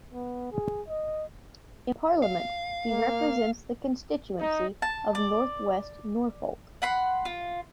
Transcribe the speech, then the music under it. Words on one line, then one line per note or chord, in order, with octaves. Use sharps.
In Parliament, he represents the constituency of North West Norfolk.
B3
G#4
D#5
F5
A#3
D#4
A5
D5
F#5 B5 C6
F4